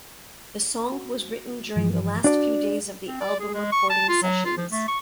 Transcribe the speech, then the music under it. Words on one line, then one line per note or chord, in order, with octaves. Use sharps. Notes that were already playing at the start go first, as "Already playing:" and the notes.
The song was written during the last few days of the album recording sessions.
F#4
G2 E3 F3
D4 F#4 D5
C4
D5
G#4
G#3
C#6
A5
F4
F#3
F4
F3
A3
C#6